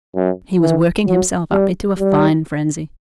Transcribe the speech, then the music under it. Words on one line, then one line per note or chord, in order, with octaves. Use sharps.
He was working himself up into a fine frenzy.
F#2
E3
F#3
G3
G3